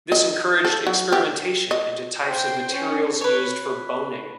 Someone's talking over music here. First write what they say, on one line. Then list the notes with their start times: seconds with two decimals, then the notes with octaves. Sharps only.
This encouraged experimentation into types of materials used for boning.
0.12 D#5
0.65 A4
0.87 F#3
1.12 G4
1.71 D#5
2.22 C5 G5
2.72 C#4
3.21 B4 C#5